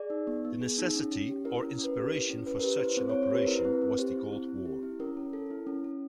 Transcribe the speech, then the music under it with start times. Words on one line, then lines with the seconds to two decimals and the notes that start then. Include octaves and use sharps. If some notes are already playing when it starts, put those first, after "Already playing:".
The necessity or inspiration for such an operation was the Cold War.
Already playing: G#4 D5
0.10 D#4
0.27 B3
0.45 B3
0.61 G#4
0.78 D#4
0.95 C#4
1.11 C#4
1.29 G4
1.45 E4 A#4
1.58 A#4
1.63 C#4
1.71 A#4
1.79 C#4
1.84 B4
1.96 G4
2.13 E4
2.30 C#4
2.47 C#4 B4
2.59 A#4
2.63 G4 B4
2.80 E4 C5
2.97 C4 C5
3.10 C#5
3.14 C4
3.23 C5
3.30 G4 B4
3.47 E4 A#4
3.59 B4
3.65 C4
3.82 C4
3.98 G4 C5
4.16 E4
4.32 C4
4.49 C4
4.65 G4
4.83 E4
5.00 C#4 A#4
5.17 C#4
5.33 A4
5.50 E4
5.67 C#4
5.84 C#4